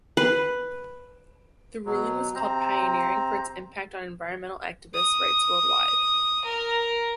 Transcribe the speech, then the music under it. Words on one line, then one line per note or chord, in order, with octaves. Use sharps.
The ruling was called pioneering for its impact on environmental activists rights worldwide.
B4
B2 F#3
C3 C4 C5 A#5
D#6
A#4